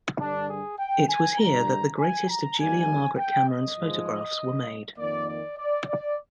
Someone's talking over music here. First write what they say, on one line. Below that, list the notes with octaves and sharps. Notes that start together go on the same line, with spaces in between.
It was here that the greatest of Julia Margaret Cameron's photographs were made.
G2 D3 G3 D4
G#4
G5
G#5
G2 D3 G3 A#5
G#5
A#5
F2 D#3 G3 A#3 G#5
G5
D#5
G#2 F3 G#3
F2 D#3 A#3 D5
D5
D5
D5